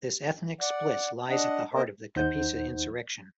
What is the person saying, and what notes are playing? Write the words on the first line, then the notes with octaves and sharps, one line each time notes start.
This ethnic split lies at the heart of the Kapisa insurrection.
D5 F#5
D4 D#5 F#5
B3 A#4 C5 D#5
D#2 D#4 C5 F#5 G6